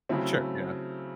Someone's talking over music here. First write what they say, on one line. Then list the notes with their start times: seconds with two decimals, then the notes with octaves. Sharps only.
Sure, yeah.
0.09 C#3 F#3 A3 C4 E4